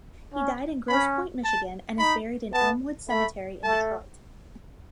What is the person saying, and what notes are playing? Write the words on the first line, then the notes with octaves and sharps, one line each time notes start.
He died in Grosse Pointe, Michigan, and is buried in Elmwood Cemetery in Detroit.
C#4
C#4 B5
A5
D#4 B5
B3 A5
A3 B5
A3 A5